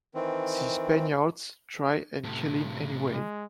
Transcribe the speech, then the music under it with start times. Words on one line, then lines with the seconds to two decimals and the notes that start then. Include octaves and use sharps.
The Spaniards try and kill him anyway.
0.15 D#3 E3 C4
2.24 A2 C3
3.13 G#3